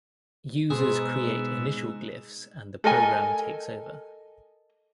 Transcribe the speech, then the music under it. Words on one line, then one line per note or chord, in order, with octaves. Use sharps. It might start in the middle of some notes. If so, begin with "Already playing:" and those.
Users create initial glyphs and the program takes over.
G#2 B2 G#4 C6 E6
A4 A#4 D#5 G#5